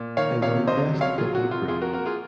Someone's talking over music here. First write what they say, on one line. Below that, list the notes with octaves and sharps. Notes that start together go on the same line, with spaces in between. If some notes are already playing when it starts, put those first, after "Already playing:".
They won Best Vocal Group.
Already playing: A#2
D#3 C#5 F5
C3 C#5 F5
C#2 C5 D#5
F#3
C#5 F5
F#3 F4 G#4
F#4
C3
F4
F2 F4 G#4
F#4 A#4
A#3 F#4 A#4
F4 G#4